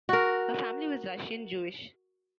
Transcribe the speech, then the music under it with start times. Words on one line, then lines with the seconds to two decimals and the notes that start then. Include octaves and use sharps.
Her family was Russian Jewish.
0.09 F#4 A#4